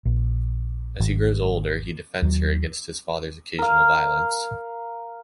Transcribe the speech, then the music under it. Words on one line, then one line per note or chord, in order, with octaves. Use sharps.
As he grows older, he defends her against his father's occasional violence.
A#1
G#1
D#2 F#3
A#4 F5